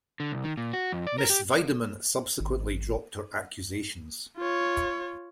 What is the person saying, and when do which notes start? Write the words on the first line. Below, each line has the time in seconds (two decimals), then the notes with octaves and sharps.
Miss Weideman subsequently dropped her accusations.
0.20 D3
0.32 C2
0.44 D#3
0.57 A#2
0.73 F#4
0.92 F2
1.07 D5
1.18 A#4
1.30 G4
2.40 G#1
4.38 F4 C#5